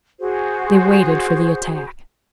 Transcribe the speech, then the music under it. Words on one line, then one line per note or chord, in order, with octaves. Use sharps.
They waited for the attack.
F#4 G#4 C5